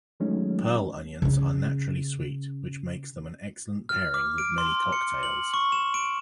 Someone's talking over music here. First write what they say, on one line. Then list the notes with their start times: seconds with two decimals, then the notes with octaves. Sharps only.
Pearl onions are naturally sweet, which makes them an excellent pairing with many cocktails.
0.20 D#3 F#3 G#3 A3 C#4 D#4
1.22 C#3 C#4
3.89 F6
4.14 D6
4.38 D7
4.58 C6
4.92 C#7
5.23 F#7
5.54 C#6
5.72 E7
5.94 D7